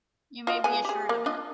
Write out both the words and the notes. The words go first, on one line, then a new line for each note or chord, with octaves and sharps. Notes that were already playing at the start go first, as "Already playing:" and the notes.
You may be assured of it.
F4 F#4 D#5
B3 G#4 G#5
G4 G#4
A#3
D4 F4 D#5